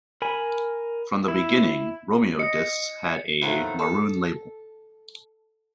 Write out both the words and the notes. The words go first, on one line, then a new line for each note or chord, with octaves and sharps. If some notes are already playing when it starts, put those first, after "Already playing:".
From the beginning, Romeo discs had a maroon label.
A#4 G#5 B5
E4
D#5 C#7
A2 D#3 F3 F#3 A3
A4